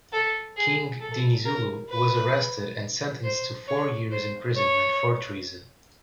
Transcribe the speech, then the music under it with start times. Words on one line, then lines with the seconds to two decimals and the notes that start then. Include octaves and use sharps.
King Dinizulu was arrested and sentenced to four years imprisonment for treason.
0.13 A4
0.57 G#4
1.01 A4
1.45 A#4
1.90 B4
3.23 C5
3.68 C#5
4.11 C5
4.57 C#5